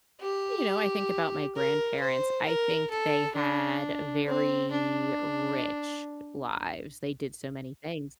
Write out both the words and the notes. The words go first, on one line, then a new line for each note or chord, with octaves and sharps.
You know, I think about my grandparents. I think they had very rich lives. They did so many things
G4
A#4
C5
A#4
A4
D4
C4
D4